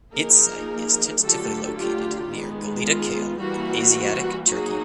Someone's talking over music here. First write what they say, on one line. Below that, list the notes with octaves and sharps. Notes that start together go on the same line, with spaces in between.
Its site is tentatively located near Gelida Kale in Asiatic Turkey.
F3 A#3 D#4 G#4 A#4
D3 F#3 A3 D4 F4 G4 A4
F4 G4
D#3 G#3 B3
F4
E3 G3 A#3 F#4
F#3 A#3 D#4 F#4 G#4